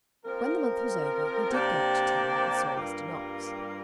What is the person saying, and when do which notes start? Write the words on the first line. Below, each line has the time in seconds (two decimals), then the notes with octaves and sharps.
When the month was over he did go up to town, and saw Mr. Knox.
0.24 F3 C4 A#4
1.49 C3 A#3 D4 G4 D5
2.74 G2 G3 A#3 F4 A#4